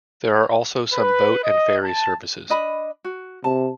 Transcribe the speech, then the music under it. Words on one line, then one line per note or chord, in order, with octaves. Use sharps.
There are also some boat and ferry services.
B4
D#5
A5
D4 D#5 B5
F#4
C3 A5